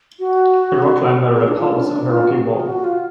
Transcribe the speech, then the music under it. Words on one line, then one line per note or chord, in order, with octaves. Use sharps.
A rock climber repels off a rocky wall.
F#4
G#4
D4
F4
C#4
D4
F4
F#4
G#4
F4
F#4
F4